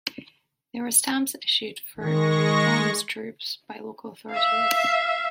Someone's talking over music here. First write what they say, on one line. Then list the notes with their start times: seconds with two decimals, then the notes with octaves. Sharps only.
There were stamps issued for Aunus troops by local authorities.
2.00 D#3 G#3 C#6 A#6
4.31 E5 F5